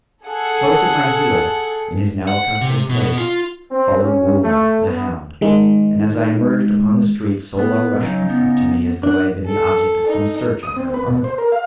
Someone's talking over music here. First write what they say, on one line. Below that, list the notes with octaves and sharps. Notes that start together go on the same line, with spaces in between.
Close at my heel, in his now accustomed place, followed Woola, the hound, and as I emerged upon the street Sola rushed up to me as though I had been the object of some search on her part.
G#4 A4 F#5
F#5
C3
B2
F4
C4
C#4
A3
B3
D#3 G#3 D#4
B3
C#3 F#3 D#4
B3
D4 F#5
A4
D#4
D#6
C4
B4
B2
C5
A#4
F5